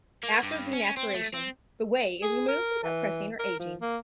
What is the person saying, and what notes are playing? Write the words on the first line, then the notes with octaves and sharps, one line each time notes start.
After denaturation, the whey is removed without pressing or aging.
A#3
G2
C#4
C4
A3
C4
G#4
A#4
E3
A#4
F3
A#3